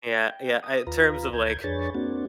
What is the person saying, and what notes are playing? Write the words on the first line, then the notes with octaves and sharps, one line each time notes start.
Yeah yeah, in terms of, like,
G5
D#6
D#2 F4 B4 A#5
D2 G6 G#6
F2 D4 G#4 B4 C#5 A6
A#3 C4 D4 F#4